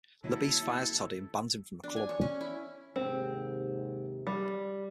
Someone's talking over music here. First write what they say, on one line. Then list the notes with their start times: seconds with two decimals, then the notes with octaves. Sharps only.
Labisse fires Toddy and bans him from the club.
0.24 D3 F#3 A#3 C4 E4 A4
1.84 D4
1.96 G#5
2.09 C#5
2.21 C#4
2.41 E4
2.96 D#2 G#2 C3 C4
4.27 G3